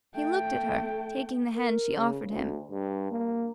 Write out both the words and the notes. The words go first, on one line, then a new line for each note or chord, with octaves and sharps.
He looked at her, taking the hand she offered him.
A3 G5
A#4
C#3
D2
G2
A#3